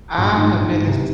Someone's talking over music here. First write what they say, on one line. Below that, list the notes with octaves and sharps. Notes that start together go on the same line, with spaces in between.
I have been this
A#1
G#2 D#3
A#1
G#2 D#3
C2